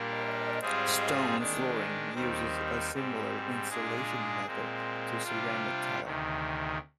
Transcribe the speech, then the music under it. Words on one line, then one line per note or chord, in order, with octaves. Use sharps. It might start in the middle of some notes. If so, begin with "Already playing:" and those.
Stone flooring uses a similar installation method to ceramic tile.
Already playing: A#2 G3 A#3 D4
G#2 G3 C4 F4 G#4
D#3 G#3 D4
D#2 D#3 G3 C4
G#2 G3 C4
A#2 G#3 D4 G#4
A#2 G#3 C4
C3 G3 D4 F4
D2 C3 D#3